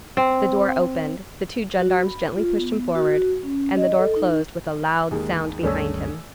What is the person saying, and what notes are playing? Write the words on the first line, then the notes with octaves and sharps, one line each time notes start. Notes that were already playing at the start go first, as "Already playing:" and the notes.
The door opened, the two gendarmes gently pushed him forward, and the door closed with a loud sound behind him.
C4
F#4
B5
F4
B3
F#4
C#4
D#5
A4
D#4
D#2 G#2 G#4
G#1 D#2 C#3 G3 A3 C#4 D5 E6